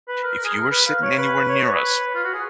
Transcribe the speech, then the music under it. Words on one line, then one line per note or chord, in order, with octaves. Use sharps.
if you were sitting anywhere near us
B4
A#4
A#4
G#4
A#4
B4
F5
C#5
B4
C#5
C#5
B4
F4
F#4
G#4